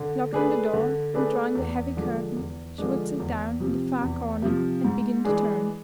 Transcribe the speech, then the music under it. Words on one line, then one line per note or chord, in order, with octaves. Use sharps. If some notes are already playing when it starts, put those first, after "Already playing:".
Locking the door and drawing the heavy curtain, she would sit down in the far corner and begin to turn.
Already playing: D3
A3 D4 G#4 B4
D3
A3 D4 G#4 B4
E2
D3 F3 G#3 D4
E2
D3 F3 G#3 D4
E2
C3 F3
E2
C3 F3
G#2
E3 G#3 D4 G#4